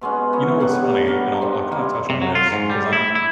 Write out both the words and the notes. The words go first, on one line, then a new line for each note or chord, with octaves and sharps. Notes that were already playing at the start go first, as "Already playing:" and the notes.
You know, what's funny, and I'll I'll kinda touch on this 'cause I'm
B2 G#3 B3 C#4
D#4 E4 C#5 D#5
G2 G3 F#5 A5
E4 A#4 D5
C4 D4 D#4
G3 A#3 E4 F4
C3
F#3
F4
G#2
G3
E4
E4